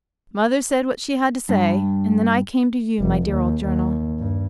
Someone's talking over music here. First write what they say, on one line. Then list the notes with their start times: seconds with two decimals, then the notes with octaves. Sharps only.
Mother said what she had to say, and then I came to you, my dear old Journal.
1.49 G2
3.00 F1
3.29 D#2
3.64 D#2
4.19 G2